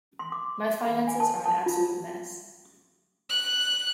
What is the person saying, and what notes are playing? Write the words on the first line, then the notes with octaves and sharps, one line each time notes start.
My finances are an absolute mess.
C6
D6
B5
G#5
A5
A5
F4
F#6